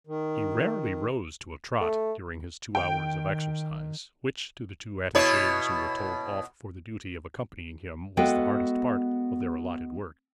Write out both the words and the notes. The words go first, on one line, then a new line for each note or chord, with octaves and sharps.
He rarely rose to a trot during his two hours of exercise, which to the two attache's who were told off for the duty of accompanying him was the hardest part of their allotted work.
D#3
A3
D#3 G5
B2 E4 C#5
G#3 B3 F#4 A4 F5 G5